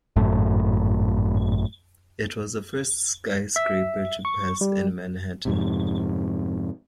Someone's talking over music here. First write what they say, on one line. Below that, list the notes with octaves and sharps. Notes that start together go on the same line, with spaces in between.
It was the first skyscraper to pass in Manhattan.
G#1 F#2 A2
E5
C#6
G3
F2 G#2 C3